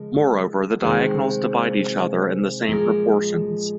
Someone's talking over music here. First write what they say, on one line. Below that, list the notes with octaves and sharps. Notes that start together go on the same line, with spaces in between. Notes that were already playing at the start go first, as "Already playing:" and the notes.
Moreover, the diagonals divide each other in the same proportions.
Already playing: C#3 F3 G#3 A#4
C3 D#3 G#3 C5
A#2 F3 G#3 A#4